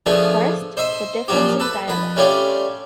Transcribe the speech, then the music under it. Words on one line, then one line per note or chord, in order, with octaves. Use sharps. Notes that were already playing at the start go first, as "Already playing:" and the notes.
First, the difference in dialect.
D3 F3 A3 B3 G#4
C5 D#5 E5 C6
A#2 F3 F#3 F#4 G4
A4 B4
F2 B4
G3 A3 C#4 F4 G4